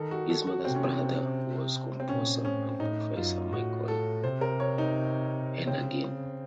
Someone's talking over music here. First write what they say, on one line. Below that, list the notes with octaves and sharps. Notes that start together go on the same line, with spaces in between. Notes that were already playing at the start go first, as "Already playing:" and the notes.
His mother's brother was composer and professor Michael Hennagin.
Already playing: D#3 A4
F#4
A4
F#4
C3 C4
C#4
C4
C4
A#2 C#4
A2 C#4
A2 D#4
F#2 F4
A2 F#4
A4
C3 C5
A#4
C#5
D#4
C#3 C4